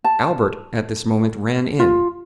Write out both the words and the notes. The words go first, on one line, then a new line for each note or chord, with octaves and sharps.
Albert at this moment ran in.
A5
F4